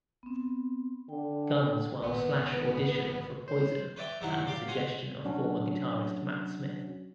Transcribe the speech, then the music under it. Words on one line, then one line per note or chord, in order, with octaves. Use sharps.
Guns while Slash auditioned for Poison at the suggestion of former guitarist Matt Smith.
B3 C4
D3 G5
G#1 B3 B4
C5 C#5
B4 C#5 D5 E5 G5
F#2 C3 D#3 F#3 E4 F#5
G4 D5 F5
C#5 F#5 G#5 C6
F#3 C#4 D4 F#4